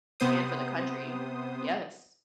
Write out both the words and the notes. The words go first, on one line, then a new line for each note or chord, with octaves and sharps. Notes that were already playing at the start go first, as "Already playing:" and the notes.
and for the country, yes.
C3 B3 C5 D#6